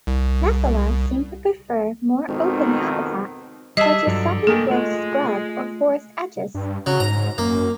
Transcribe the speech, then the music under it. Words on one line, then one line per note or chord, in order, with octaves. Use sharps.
"Nephila" seem to prefer more open habitat such as second-growth scrub or forest edges.
C2
G#1 F2 B2 D#3
G3 G#4 D#5 E5 A5
G2 D3 F3 F#3
D3 D#3 A3 A#3 A4 G#5
G#3 A3 F4
G2
C#3 F#3
G#2 A#5
F#2 A#3